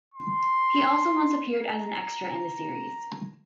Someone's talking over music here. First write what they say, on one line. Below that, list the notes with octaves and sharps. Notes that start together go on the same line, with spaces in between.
He also once appeared as an extra in the series.
C6
A#5